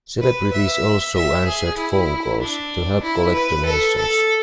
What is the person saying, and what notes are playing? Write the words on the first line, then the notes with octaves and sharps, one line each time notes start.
Celebrities also answered phone calls to help collect donations.
B4
E5
E5
G#4
E4
D4
E4
B4
A4
A4